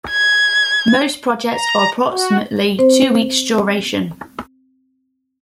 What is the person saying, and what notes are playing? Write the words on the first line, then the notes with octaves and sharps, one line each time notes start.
Most projects are approximately two weeks duration.
G#6
A#5
F#4
C4 C5